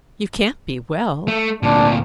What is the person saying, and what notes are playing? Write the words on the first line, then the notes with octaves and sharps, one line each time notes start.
'You can't be well.
A3
D2 A#2 D4